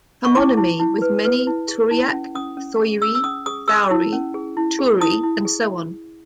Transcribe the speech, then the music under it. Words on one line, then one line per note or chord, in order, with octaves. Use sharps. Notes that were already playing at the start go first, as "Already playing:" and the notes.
Homonymy with many Tauriac, Thoiry Thoury, Toury, and so on.
C#6
E4 D6
E4
E4
B4
B4
E4
G#4
E4
C#4
C#4 D#6
C#4
G#4
G#4 E6
E6
C#4 D#6
G#4 D#6
G#4 E6
E4
C#4
G#4
E4
G#4
E4 D#6
E4
G#4